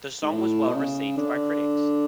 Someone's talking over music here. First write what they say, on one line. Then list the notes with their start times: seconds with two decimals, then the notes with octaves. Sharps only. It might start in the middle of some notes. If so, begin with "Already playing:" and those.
The song was well-received by critics.
0.22 G#2
0.32 A2
0.68 B2
0.75 C#3
1.17 D3